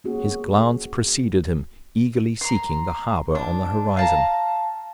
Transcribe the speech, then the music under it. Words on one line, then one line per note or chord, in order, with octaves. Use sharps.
His glance preceded him, eagerly seeking the harbour on the horizon.
A#3 B3 C#4 F#4 G#4
F#4
A#5 C6
D4
F5 A5 A#5